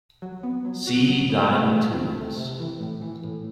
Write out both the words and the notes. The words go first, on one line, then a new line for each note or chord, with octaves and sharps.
See diamond tools.
F#3
B3
F#3
F#4
F#3
B3
C3
E3
C4
A3
C3
E3
A2
E3
A2